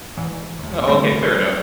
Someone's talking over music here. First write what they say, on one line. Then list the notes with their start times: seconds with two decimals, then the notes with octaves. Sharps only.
Oh, okay. Fair enough.
0.17 E2 G#2 E3
0.59 D#2 A2
0.88 E2 G2 D3 G3 A3 C4